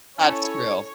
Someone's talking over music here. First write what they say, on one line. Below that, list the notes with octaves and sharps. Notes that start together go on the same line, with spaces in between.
That's true.
C#4 E4 A4 C#5